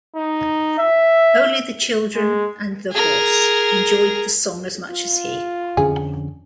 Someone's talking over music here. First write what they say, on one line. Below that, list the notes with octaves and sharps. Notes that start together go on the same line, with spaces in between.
Only the children and the horse enjoyed the song as much as he.
D#4
E5
G#3
G#4 A#4
F4
F2 D3 C#4 G#4